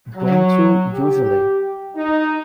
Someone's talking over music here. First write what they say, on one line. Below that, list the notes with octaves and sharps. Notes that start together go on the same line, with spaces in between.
Don't you, usually?
F#3
G4
D#4